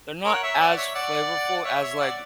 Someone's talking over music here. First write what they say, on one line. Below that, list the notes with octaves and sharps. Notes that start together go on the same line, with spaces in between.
they're not as flavorful as, like,
A#4 C#5
F#5
C#5 E5
D5 F#5
C#5 E5
D5 F#5
C#5 E5
C#5 E5
D5 F#5